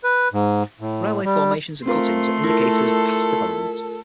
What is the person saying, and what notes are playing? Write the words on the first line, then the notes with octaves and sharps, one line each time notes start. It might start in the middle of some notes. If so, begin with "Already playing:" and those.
Railway formations and cuttings are indicators of past development.
B4
G#2
A2
G3
A3 C4 F4 A#4 C6
E4 F4 A4 A#4